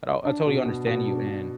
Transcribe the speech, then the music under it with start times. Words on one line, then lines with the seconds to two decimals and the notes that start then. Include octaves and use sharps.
Oh, I totally understand you, and
0.25 D4
0.45 B2
0.65 B2
0.87 B2
1.07 D4
1.27 B2